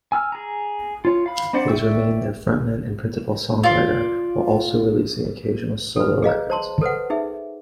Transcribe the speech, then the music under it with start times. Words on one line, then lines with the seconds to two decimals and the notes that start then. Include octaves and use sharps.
He has remained their frontman and principal songwriter, while also releasing occasional solo records.
0.12 G#5 E6 F6
0.32 G#4 A#5
1.05 F4 C#5
1.26 F5 B5
1.53 C4 D4 C5 D5 F#5
1.68 D5 E5 G5 C#6 E6
3.63 F4 D5
5.96 A4 B4
6.23 G#4 D#5 F5 A#5
6.50 C5 A5 C6
6.81 A4 B4 C5 F#5
7.10 D#4 G#4 E5